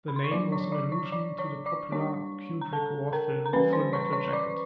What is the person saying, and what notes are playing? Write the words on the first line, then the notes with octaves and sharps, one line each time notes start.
The name was an allusion to the popular Kubrick war film "Full Metal Jacket".
B5
C6
C#6
F#3 A#3 D4 D5 D6
C#5 C#6
D5 D6
C#5 C#6
D5 D6
C#5 C#6
D5 D6
G3 A#3 D4 C#5 C#6
A#5
A4 A5
A#4 A#5
A#5
E3 G3 A#3 C#4 B4 B5
C5 C6
C#5 C#6
C#5 C#6
D5 D6